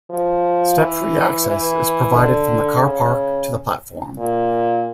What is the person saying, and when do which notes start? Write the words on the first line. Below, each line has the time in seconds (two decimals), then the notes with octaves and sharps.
Step-free access is provided from the car park to the platform.
0.10 F3
0.78 E3
1.47 E3
2.15 D3
2.83 C#3
4.19 A#2